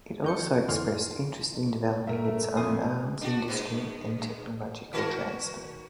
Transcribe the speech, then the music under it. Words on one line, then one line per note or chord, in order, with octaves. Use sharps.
It also expressed interest in developing its own arms industry and technological transfer.
F2 D#4 F4 A4 G6 C#7
F2 D3 E3 C6 F6
G2 A3 A#4 E5
F2 A#3 G#5 C6 D#6
D4 F#4
G2 B3
D#3 F#4 A#4